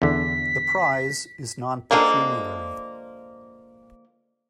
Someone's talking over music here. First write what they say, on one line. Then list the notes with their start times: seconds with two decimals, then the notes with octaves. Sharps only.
The prize is non-pecuniary.
0.02 E2 D3 B6
1.91 D3 F3 G#3 A#3